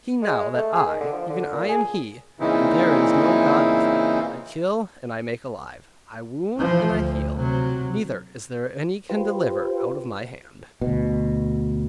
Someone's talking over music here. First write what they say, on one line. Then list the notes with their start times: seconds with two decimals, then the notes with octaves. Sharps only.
See now that I, even I am he, and there is no god with me, I kill and I make alive, I wound and I heal, neither is there any can deliver out of my hand.
0.22 G#3
0.54 A3
0.73 G#4
0.86 D#3
1.00 D3
1.13 F3
1.29 D3
1.53 A#2
1.69 G#4
2.40 A#2 C#3 E3 C4 D#4 E4
6.56 E3 F3
6.90 D2
7.38 C3 F#3
9.09 F4 G4 B4 C5
10.81 D2 B2